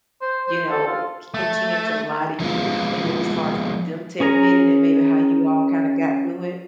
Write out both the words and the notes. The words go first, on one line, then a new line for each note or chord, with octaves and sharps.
you know, c continued to lie to you, and it was hard for them to admit it and maybe how you all kinda got through it?
C5
C5
A4
F4
A3
F3 F#3 G#3 A#3 B3 F4
C#4 G#4 A#4 A#5